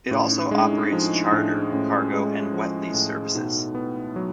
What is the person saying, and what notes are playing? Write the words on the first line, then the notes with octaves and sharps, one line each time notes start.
It also operates charter, cargo and wet lease services.
C4
A2 C#4
D#4
G#3 D4
E4
D#4
F3 D#4
A2 D4
A2 C#4
G#3
F3
A2
B2 D#4
B3
F#3